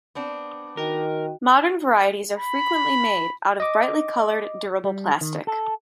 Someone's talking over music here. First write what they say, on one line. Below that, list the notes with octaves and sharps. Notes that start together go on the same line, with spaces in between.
Modern varieties are frequently made out of brightly colored, durable plastic.
B3 C4 D4
D#3 F#4 A#4 D#5 G5
B5
D#5 D6
G3
D#3
A4